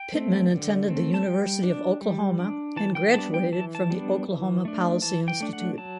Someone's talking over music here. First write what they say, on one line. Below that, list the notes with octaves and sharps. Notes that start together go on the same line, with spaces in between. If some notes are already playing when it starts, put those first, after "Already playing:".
Pittman attended the University of Oklahoma and graduated from the Oklahoma Policy Institute.
Already playing: G5
A3 C4
D3
A3 C4
A5
G3 G5
D4
G3
D4
E3 A5
G5
G3 B3 D4 A5
G5
E3 A5
A5
G3 B3 D4
E3
A3 D4
E3 A5
G5
A3 D4
F#5
F#3 A5